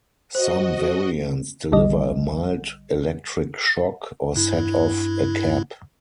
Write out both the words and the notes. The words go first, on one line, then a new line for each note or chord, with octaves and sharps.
Some variants deliver a mild electric shock, or set off a cap.
F#4 C5 D#5
A#1 D3 G3 D#5
G2 E4